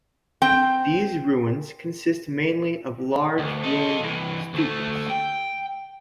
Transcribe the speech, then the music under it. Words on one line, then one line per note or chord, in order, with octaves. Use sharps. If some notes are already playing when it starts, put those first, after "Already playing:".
These ruins consist mainly of large ruined stupas.
C4 G5
D2
A4 D#5
C2 E3
D2 A3
G5